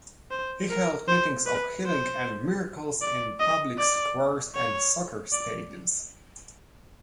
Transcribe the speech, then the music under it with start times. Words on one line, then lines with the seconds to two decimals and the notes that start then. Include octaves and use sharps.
He held meetings of healing and miracles in public squares and soccer stadiums.
0.31 C5
0.70 A#4
1.08 C5
1.47 B4
1.86 C5
3.01 D5
3.40 D#5
3.78 D5
4.56 C#5
5.33 D5